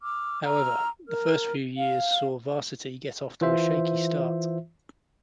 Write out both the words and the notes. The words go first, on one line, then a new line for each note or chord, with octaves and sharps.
However, the first few years saw "Varsity" get off to a shaky start.
D6 E6 F6
A#5 E6 F6
A#4 F6
F5
E3 F4 C5 E5